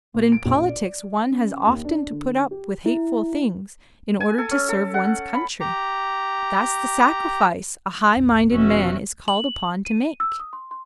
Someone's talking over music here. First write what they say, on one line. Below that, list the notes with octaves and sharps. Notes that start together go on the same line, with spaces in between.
"But in politics one has often to put up with hateful things in order to serve one's country. That's the sacrifice a high-minded man is called upon to make."
A#2
D7
A#1
D5
C#4
D#2
D4
D3
G4
E4
G#5
A4
C#4
A4
F#5
B5
G4 A#5
A#1 E2 B3
F1 F2 B2 E3 C#4 F#4 E5
F#7
D#7
E6
D#6
C6
C6